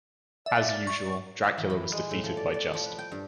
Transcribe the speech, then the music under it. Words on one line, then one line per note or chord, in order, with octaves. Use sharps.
As usual, Dracula was defeated by Juste.
D5 E5
C#6
E5
E3
B5
G#3
A2
F3
D5
D5
F3
B4
G5
G2